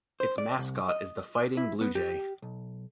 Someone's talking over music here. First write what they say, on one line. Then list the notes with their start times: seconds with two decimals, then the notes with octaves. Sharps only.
Its mascot is the Fighting Bluejay.
0.20 C5
0.38 D5
0.59 C2
0.89 D#5
1.57 E4
1.81 B3
1.95 G4
2.42 B1